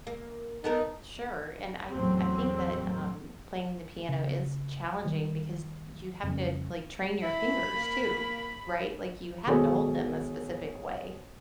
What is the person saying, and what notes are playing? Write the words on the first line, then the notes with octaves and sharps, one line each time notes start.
Sure. And I th I think that, um, playing the piano is challenging because you have to, like, train your fingers too, right? Like, you have to hold them a specific way
A#3
B3 D#4 A4 A#4
E2 A2 F#3 C4
C#3
D#3 G3
F2 C#3 G3 C#4
E4 B5
A#3
G#1 B2 G#4 A4 C#5